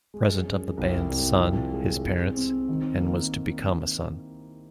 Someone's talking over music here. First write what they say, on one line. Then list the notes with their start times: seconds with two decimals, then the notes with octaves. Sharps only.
Present of the band's son, his parents, and was to become a son.
0.14 G#3
0.45 F#2
0.77 C2
1.09 C2
1.41 F3
1.73 G#3
2.05 C4
2.36 C4
2.69 D#3
3.00 A#3